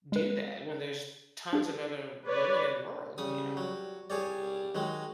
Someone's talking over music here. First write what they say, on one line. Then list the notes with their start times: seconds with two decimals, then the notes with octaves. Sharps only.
do that when there's tons of other women in the world, you know?
0.12 G#3 B4
1.53 D4 G#4
2.27 B4 C#5 D5
3.18 C#3 G3 D#6
3.57 F#3
4.10 G3 G#4 C#5 D5
4.75 D#3 F#3 G#3